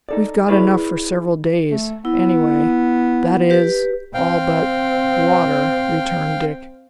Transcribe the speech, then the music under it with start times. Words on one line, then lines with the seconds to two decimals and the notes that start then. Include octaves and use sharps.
"We've got enough for several days, anyway--that is, all but--water," returned Dick.
0.09 D#4 A4 D5
0.48 E4 G#4 B4 C#5 D5
1.71 A3
2.05 B3 E4
3.50 G4 B4
4.14 C4 F5 G5